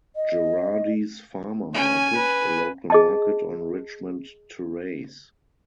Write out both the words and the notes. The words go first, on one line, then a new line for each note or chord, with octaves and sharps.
Gerardi's Farmer Market, a local market on Richmond Terrace.
D#5
C#4 G#5
B4
G#4 D#5 A5